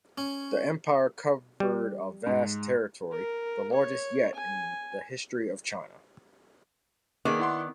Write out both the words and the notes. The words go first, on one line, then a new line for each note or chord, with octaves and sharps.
The empire covered a vast territory, the largest yet in the history of China.
C#4
G3
G#2
A#4
C#5
G#5
D#3 A#3 B3 D#4 G#4 D5
E4 F#5 C6